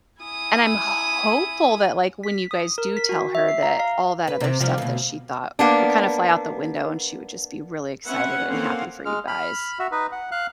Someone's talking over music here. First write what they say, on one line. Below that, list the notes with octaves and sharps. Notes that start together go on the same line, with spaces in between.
And I'm hopeful that, like, when you guys do tell her that all that other stuff that she thought, would kind of fly out the window and she would just be really excited and happy for you guys.
E4 G#5 D#6
B6
D#6
A#4
B6
F#4
E5
C7
A#5
F5
B4
C3 C4
C3 F3 G3
D2 B2
A#3 B3 D4
C4 C#4 B4 E5 F#5
A#3 C4 C#4 A4 F5 F#5
G#3 F6
B5 F6
F#4 E5
D#4 B4
F#5
F5 F#6